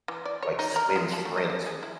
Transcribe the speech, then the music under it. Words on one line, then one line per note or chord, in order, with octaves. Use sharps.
like swim sprint
E3
D5
C#5
D#4
A#4
G#3
A4
A3
D#5
D4
G#4
E4